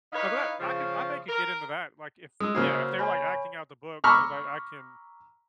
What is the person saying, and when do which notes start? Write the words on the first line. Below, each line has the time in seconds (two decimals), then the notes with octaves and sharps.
Now that I can I may could get into that, like, if yeah, if they're, like, acting out the book so that I can
0.13 D#4 E4 B4 C#5 F5
0.59 C#3 F3 F5
1.28 A#4
2.40 G#3 D#6 E6
2.55 C#3 A#3 F#4 G#4 C5 F6
2.99 C#5 G#5 B5
4.04 A#5 B5 C#6 D6 E6 F6